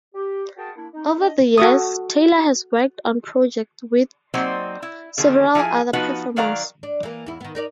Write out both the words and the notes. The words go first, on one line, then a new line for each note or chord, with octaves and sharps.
Over the years, Taylor has worked on projects with several other performers.
G4
F#4 G#4 A#4 G5 A5
A#3 D4 E4
D#4
D4 D#5
F#4 A4 D#6
F#3 A#3 C4 D#4 C5 D5
E4
D3 D#3 F3 A#3 G#4
F3 E4 G#4 G#5
F3 B3 D#4 F#4 B4
D#3 F#3 A#4 D5 F5 A#5
D4
E3 A#3
E2 E4
D#3 B3
D#4 A#4 D5